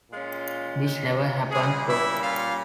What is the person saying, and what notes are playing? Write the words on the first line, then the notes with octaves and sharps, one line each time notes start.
This never happened though.
A#2 G#3 C#4 F4
A#2 G3 G#3 A#3 C#4 G#4
E4 E5
F4 F5